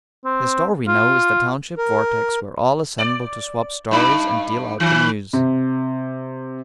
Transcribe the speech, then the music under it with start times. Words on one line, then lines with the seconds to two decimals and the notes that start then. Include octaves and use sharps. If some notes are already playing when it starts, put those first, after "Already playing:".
The store we know is the township vortex where all assemble to "swap stories" and deal out the news.
0.25 C4
0.88 F4
1.77 A#4
2.98 D5
3.91 G2 D#4
4.80 D#3
5.33 C3